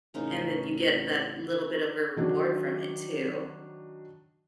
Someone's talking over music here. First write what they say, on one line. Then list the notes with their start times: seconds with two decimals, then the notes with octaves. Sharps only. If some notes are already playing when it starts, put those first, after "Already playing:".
and then you get that little bit of a reward from it, too.
0.14 A1 C#3 D#4 A#4
2.16 D#3 F#3 D4